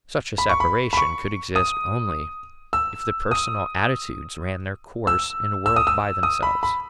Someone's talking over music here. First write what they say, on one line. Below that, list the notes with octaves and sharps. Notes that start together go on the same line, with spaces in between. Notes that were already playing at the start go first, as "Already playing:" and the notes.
Such a separation could exist only if the personal attitudes ran their course in a world by themselves.
B5
C#6
B5
B5
C#6
D#6
E6
D#6
E6
E6
D#6
E6
D#6
B5
B5